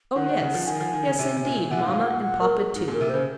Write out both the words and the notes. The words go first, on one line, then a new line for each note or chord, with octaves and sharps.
"Oh, yes; yes indeed, mamma and papa too."
D#3 F#5
D#3
C#3
F3
D#3 G#5
F3
D#3
C#3
C3
C3
A#2
C3 F#5
A#2
G#2
A#2 F5
F#5
F#5
A#4
G#4
G#2
A#2
A#4
C3
C#3 C5